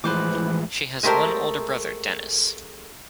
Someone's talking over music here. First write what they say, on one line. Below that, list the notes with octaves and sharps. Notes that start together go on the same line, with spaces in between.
She has one older brother, Dennis.
A2 E3 F3 G#3 B4 C5 D6
G#3 A3 G4 A#4 C5